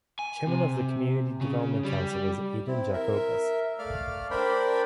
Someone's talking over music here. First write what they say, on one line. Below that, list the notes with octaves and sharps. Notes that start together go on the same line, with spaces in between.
Chairman of their Community Development Council is Aiden Jacobus.
G#5
C3
C#3
G3
C4 E4
A#4 E5
A3 D5 F5 F6
D4 A#4 C5 D5 G5 B5